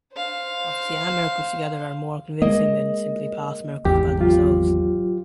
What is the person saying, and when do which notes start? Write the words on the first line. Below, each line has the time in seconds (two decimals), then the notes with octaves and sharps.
Prophecy and miracles together are more convincing than simply past miracles by themselves.
0.14 C5 F5
2.42 G#3 A#3 D#5
3.85 G#1 E2 G4
4.19 F#3 F4 G4